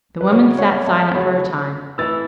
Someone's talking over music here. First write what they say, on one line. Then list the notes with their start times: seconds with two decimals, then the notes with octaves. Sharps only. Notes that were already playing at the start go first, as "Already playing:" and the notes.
The woman sat silent for a time.
0.21 B4
0.30 E2 C#3 F#3 C#5
0.59 C#5 F#5
0.86 E5 A5
1.14 E2 C#3 F#3 F#5 B5
1.98 E3 A3 E4 E6 A6